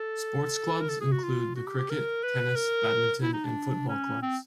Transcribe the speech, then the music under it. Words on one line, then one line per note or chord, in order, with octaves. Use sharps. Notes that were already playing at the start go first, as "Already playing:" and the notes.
Sports clubs include the cricket, tennis, badminton and football clubs.
Already playing: A4
A#4
A4
G#4
F#4
F4
F#4
G4
G4
A#4
B4
A#4
E4
D#4
D4
C#4
C4